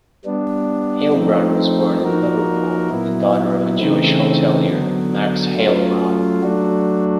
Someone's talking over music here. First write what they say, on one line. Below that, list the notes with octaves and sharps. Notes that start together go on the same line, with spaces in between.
Heilbron was born in Liverpool, the daughter of a Jewish hotelier, Max Heilbron.
G3 B3 D4
F3 A3 C4 D#4
F3 A#3 D#4 F#4 A#4
A#2 F#3 B3 E4
C#3 E3 A3 C4 D#4
D3 F#3 B3
F#3 A3 C#4 F4
F#3 A3 D4 F#4